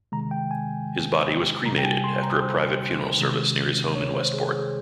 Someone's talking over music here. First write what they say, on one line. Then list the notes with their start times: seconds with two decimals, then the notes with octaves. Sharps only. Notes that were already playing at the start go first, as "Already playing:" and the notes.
His body was cremated after a private funeral service near his home in Westport.
0.12 C3 D#3 G#3 A#5
0.31 G5
0.51 G#5
1.65 C3 G3 A#5
1.78 G5
1.85 G#5
2.04 C6
2.23 A#5
2.42 C5
3.19 C3 D#3 G#3
3.95 C#5
4.14 C5
4.34 G#4
4.53 G#4